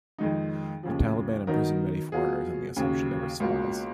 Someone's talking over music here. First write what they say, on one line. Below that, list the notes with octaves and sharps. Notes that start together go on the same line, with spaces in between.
The Taliban imprisoned many foreigners on the assumption they were spies.
F2 D#3 G#3 D#4
D#2 C#3 F3
D#3 F#3 B3 D#4 A#4
B2 F#3 B3 F4 G#4
D#2 C#3 F#3
C#2 B2 A#3 F4